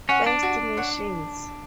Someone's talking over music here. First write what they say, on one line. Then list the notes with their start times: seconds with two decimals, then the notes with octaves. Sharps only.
First Nations.
0.09 C#4 C#5 F#5
0.26 D4
0.43 F#4
0.77 C#5 F#5